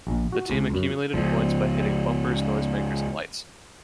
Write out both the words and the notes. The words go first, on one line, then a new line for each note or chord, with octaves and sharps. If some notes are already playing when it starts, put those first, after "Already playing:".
The team accumulated points by hitting bumpers, noisemakers, and lights.
A#1
F#4
C#2
F#2
C#2 F3